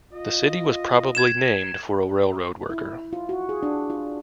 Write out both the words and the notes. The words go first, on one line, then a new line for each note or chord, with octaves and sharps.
The city was probably named for a railroad worker.
F4 D#5
G#6 E7
E4
F4
F#4
G#4
D4
F4